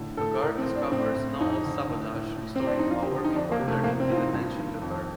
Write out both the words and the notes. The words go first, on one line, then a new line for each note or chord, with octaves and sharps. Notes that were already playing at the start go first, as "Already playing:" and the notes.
A guard discovers Noel's sabotage, restoring power before turning his attention to her.
Already playing: A2 D3
A2 A4
A2 A#4
C4
A2
D4
A2 C4
A2
F2 D#4
D3
A2
A2
A2
C4
A2
D4
D#4
F2 F4
G4
D3
D#4
F2 D4
A#3
C3
A3
A2 A#3
C4
A2 F4
D#4
G2
D#3
F2